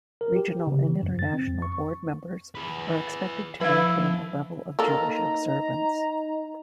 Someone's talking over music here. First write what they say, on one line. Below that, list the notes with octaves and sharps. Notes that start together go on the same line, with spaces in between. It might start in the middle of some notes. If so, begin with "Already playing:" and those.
Regional and international board members are expected to maintain a level of Jewish observance.
A#4
G4
C#3
E3
F#2
A6
C4
F2
C#6
G#4 B4
F3 E4 B4 E5 F5 B5
A#3 D#4 A4 A#5